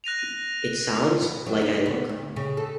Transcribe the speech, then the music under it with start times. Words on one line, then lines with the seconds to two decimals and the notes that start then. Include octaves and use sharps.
It sounds like I look.
0.04 F#6 A#6 D#7 F7
1.22 B3
1.46 F#3
1.62 D#4
1.86 B3
2.09 D2
2.36 C#3
2.57 A4